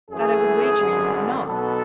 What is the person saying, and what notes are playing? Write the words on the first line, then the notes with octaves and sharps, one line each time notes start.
That I would wager you have not.
F#2 E3 A3 G#4
G#1 F#2 D3
B1 B2 F#3 B3 A4